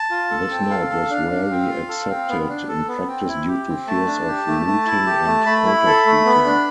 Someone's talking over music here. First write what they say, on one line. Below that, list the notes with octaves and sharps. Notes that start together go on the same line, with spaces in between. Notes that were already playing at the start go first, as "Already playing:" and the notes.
This note was rarely accepted in practice due to fears of looting and counterfeiting.
Already playing: A5
F4
A4
C4
A4 F5
A4
D4
D4
C4
F4
A4
C4
B3
D4
A4
B3
C4
E4
G4
C4
A3 A5
D4
G4
A3
A3
E4
G4
A3
A3 B5
E4
A4
A3
B3
D4